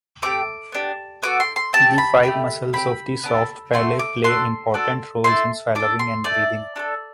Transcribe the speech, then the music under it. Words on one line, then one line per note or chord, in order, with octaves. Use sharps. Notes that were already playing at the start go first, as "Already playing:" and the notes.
The five muscles of the soft palate play important roles in swallowing and breathing.
A3 C4 G4 D6
B3 D4 G4
B3 F#4 A4 D6
C6
C6
C4 G4 A5
B5
A3 D4 G4
C4 G4 B5
B3 D4 A4
A3 C4 F#4 C6
D6
D4 F#4 A4 C6
D4 F#4 A4
A3 E4 A4 C6
D4 A4 D6
C6
A3 D4 A4 D5
D4 F#4 A4